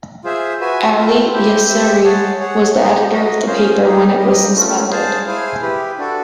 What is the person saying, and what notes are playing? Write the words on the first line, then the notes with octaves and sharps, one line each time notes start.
Ali Yasseri was the editor of the paper when it was suspended.
F4 G#4 C5 E5
F#4 B4 E5 G#5
A3 C4 F4
E4 G4 C5
G4 C5 E5
G#4 C#5 F#5 A5
G#4 C#5 F#5
B3 D#4 G4
F#4 A#4 D#5
C#4 F4 G#4 C5 F5
A#3 D#4 G#4
G4 A#4 D#5
A3 C#4 F4
G#4 C5 F5 A5
E4 G#4 C5 F5 G#5
E4 G4 B4
D4 F#4 A4